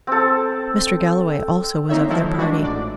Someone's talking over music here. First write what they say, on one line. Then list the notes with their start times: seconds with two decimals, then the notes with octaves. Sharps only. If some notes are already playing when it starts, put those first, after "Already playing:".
Mr. Galloway also was of their party.
0.07 C4 A4
1.89 A#3 C4 D#4 C#5 E5
2.09 D#3 F3 F#3 E4 A4 C5
2.38 G#3 D4 F#4
2.63 A1 A2 D5